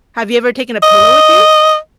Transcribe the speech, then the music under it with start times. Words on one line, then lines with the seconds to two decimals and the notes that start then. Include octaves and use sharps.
Have you ever taken a pillow with you?
0.83 D#5